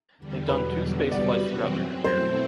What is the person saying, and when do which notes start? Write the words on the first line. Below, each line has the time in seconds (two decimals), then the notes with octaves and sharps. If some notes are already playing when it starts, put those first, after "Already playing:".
They’ve done two space flights throughout their career.
0.18 E2 D3 G3
0.49 E2 B2 F#3 B4
0.80 E2 D3 G3 B3
1.11 C3 G3 B3 F#4 B4 D5
1.43 F#2 E3 G3 C4 F#4
1.73 F#2 F#3 C4
2.04 B2 A3 C4 E4 C5